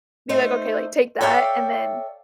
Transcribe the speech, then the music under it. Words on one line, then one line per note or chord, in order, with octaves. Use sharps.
be like, okay, like, take that, and then
A3 D#4 C5
A4 C#5 D5 E5 F5 G5